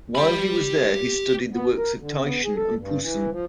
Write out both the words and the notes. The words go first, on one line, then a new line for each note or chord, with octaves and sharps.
While he was there, he studied the works of Titian and Poussin.
G4 B5
B3
A#4
D3
B3
G#4
A4
G2
E3
F3